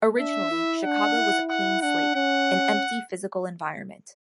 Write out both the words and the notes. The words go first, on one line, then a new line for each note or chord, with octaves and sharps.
Originally, Chicago was a clean slate, an empty physical environment.
D4 E5
E4
D4 F#5
E4
F#5
D4 F#5
C#4 F#5